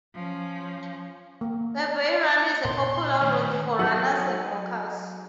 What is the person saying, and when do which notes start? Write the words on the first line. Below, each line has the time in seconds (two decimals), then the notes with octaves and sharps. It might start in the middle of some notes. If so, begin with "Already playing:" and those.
The Bay Run is a popular route for runners and walkers.
0.14 F3 C#4
1.41 A#3
2.65 A#2 B3 C6
3.21 D#3 A3
3.79 F#3 D#4 A4 F#5